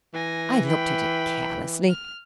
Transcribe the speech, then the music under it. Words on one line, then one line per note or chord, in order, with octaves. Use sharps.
I looked at it carelessly.
E3 G#5 A#6
G5 B5
F6